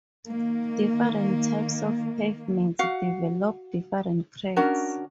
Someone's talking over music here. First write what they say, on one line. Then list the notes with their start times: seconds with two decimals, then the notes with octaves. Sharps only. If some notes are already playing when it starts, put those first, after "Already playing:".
Different types of pavements develop different cracks.
0.27 D#3 A#3
2.79 F#4 F5 F#5
4.56 C#4 D4 F#4 A#4